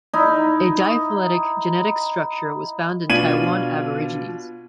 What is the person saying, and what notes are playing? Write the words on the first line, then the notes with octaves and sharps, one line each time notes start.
A diphyletic genetic structure was found in Taiwan Aborigines.
D#4 E4
B2 D4 F4 G#6 D#7 F#7